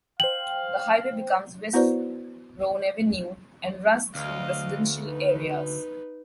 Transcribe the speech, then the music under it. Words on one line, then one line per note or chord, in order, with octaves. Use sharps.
The highway becomes West Roane Avenue and runs through residential areas.
C5 F5 G5 F#7
B3 E4 F#4 B4 C5 D5
D2 D#5 F5
D#4 B4